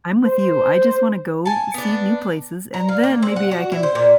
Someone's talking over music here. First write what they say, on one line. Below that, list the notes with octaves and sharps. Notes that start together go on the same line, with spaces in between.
I'm with you, I just wanna go see new places, and then maybe I can,
C5
G#5 A5
B3 D4
A#5
F5
A#3
C4
F#5
F#4
E4
C5
A#2